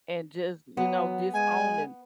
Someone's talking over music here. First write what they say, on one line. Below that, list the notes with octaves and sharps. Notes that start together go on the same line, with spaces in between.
and just, you know, disowning
F#3 B3
G#3 G#5